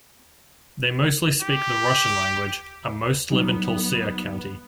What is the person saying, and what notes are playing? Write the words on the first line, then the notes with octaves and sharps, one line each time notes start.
They mostly speak the Russian language, and most live in Tulcea County.
G4
F#3 G3 B3 D#4